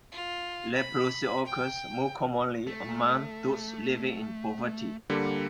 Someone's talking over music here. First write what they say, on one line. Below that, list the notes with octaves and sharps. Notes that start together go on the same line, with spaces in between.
Leprosy occurs more commonly among those living in poverty.
F4
B5
G5
A3
D3 G3 A#3